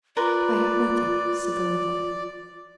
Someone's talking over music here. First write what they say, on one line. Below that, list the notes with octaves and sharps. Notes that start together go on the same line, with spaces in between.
"I have nothing," said the landlord.
F4 A#4 B4 D5 C6